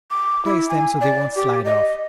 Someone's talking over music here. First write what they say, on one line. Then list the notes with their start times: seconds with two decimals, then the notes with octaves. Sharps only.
Place them so they won't slide off.
0.10 D6
0.45 E4
0.69 G#5
1.01 D5
1.36 G4
1.65 D#5